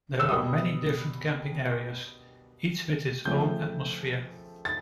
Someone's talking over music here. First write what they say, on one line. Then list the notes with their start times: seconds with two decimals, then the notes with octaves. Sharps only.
There are many different camping areas, each with its own atmosphere.
0.20 E6
0.29 B2 G3 B3 D#6
3.25 C#3 F3 A3 C4 G6
4.65 A6